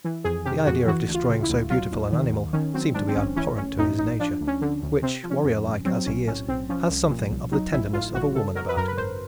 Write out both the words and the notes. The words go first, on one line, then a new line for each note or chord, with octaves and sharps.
The idea of destroying so beautiful an animal seemed to be abhorrent to his nature, which, warrior-like as he is, has something of the tenderness of a woman about it.
E3
F2 G#4
C3 G4
F2 F#4
E3 F#4
D2
F4
C#3
E4
D2
F#3 F4
D#2
D#3
D#2
D#3 C#4
F#3 C4
G#2 D4
C4
A#1 C#4
E3 C#4
A1 C#4
A2 D#4
A1 D#4
F3 D4
D2
C#4
D3
D2
C3 C4
F3
C#4
F2
G1
F#3 C4
B1 C#4
A2 C#4
B1 C4
F3 C#4
C2
A#2
C2
F#3 D#4
A1 E4
A2 F4
A1 F#4
C#3 A4
F#3 A#4
B4
F#2 A#4
B4
G#1 C5